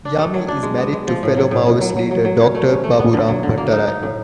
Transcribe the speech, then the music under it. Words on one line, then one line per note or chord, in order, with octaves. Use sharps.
Yami is married to fellow Maoist leader Doctor Baburam Bhattarai.
D4
A3
F#3
D4
G#3
B3
G#3
F3
A2
F#3
A2
A2
F#3
F#3
F#3
F#3
C#4
A3
C#4
A3
B3
D3
F#3
D3
A#3
D#4
D#4
A2